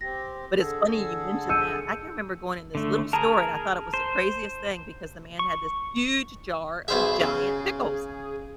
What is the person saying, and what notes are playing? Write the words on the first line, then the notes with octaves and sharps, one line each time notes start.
But it's funny you mentioned that. I can remember going in this little store and I thought it was the craziest thing because the man had this huge jar of giant pickles
C4 G4 A#6
D3 G#4 A4
E6 G6 C#7 D#7
D3 A3
G#4 A#4 A5 A#5
C5
C#6
B1 G#4 C5 E5
C#3 G#4